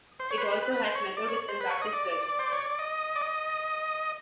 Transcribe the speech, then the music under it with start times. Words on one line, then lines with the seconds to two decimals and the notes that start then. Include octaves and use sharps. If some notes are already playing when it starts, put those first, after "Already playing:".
It also has Methodist and Baptist churches.
0.20 C5
0.31 C#5
0.38 B4
0.41 C5
0.52 B4
0.63 B4
0.73 B4
0.84 C5
0.95 C#5
1.17 D5
1.28 C#5
1.49 C5
1.61 B4
1.70 C#5
1.82 D#5
1.93 D5
2.39 C5
2.53 C#5
2.66 D5
2.79 D#5
3.16 D5
3.21 D#5